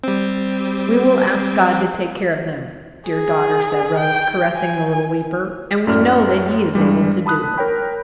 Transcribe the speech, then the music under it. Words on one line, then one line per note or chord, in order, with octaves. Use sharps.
"We will ask God to take care of them, dear daughter," said Rose, caressing the little weeper, "and we know that He is able to do it."
G3 C4
G#4
G5
G#5
F#2 A2 D5 F6
G2 E3 G3 G#3
A5 B5 D#6 F#6
A#4 C#5 G5 B5